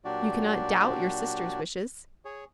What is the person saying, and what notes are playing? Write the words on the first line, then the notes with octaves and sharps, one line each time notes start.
You cannot doubt your sister's wishes.
A#2 F#3 D4 F#4 G4 D5
G#4 C#5